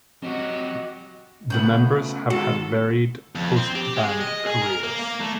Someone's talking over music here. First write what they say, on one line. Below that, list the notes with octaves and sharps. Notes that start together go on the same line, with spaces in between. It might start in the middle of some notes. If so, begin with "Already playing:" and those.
The members have had varied post-band careers.
F#3 C4 F#4 G4 D#5
C#3 A3 B3 F#5 G6
D#3 G#3 F#4 A4
F2
C4
G4
G#3
D#5
G#4
A#4
A#3
A#3
A3